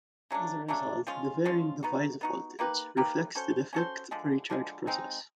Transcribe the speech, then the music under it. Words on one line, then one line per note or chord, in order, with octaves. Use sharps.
As a result, the varying device voltage reflects the defect recharge process.
C#3 F#3 A3 D4
C#3 F#3 A3 D4
F3 G#3 C#4 F4
F3 G#3 C#4 F4
B3 D#4 F#4
B3 D#4 F#4
A#3 D#4 G4 B4
A#3 D#4 G4 B4
C#4 F#4 A4 C5
C#4 F#4 A4 C5
D3 F3 G#3
D3 F3 G#3
G#3 C4 D#4